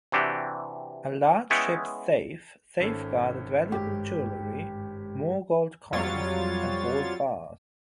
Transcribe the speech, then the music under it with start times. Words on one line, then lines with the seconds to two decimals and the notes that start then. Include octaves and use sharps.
A large ship's safe safeguarded valuable jewelry, more gold coins, and gold bars.
0.12 C3 E3 D4 F#4 G4
1.50 G#3 B3 C#4 E4 C#5 G5
2.80 G#1 C#4 A4
3.72 G2 G#3 G4 G5
5.92 F2 F#3 G3 F4 C#5 A6